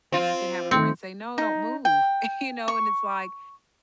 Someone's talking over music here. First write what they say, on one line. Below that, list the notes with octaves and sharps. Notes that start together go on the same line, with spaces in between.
and you can have a friend say, "No, don't move." You know, it's like,
C4 F4
D#3 A3 C4 C#7
D#4
G5
C#6